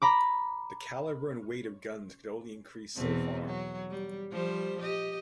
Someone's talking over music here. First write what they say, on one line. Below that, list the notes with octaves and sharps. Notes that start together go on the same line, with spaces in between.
The calibre and weight of guns could only increase so far.
A#5 B5 D6
E2 B2 C4
F#3
G3
F3 G3 C5
G4 D#5